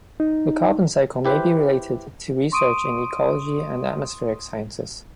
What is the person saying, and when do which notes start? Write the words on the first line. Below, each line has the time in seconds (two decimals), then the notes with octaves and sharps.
The carbon cycle may be related to research in ecology and atmospheric sciences.
0.20 D#4
1.25 E4 G4 B4 C5
2.52 C6 C#6 D#6 D7 D#7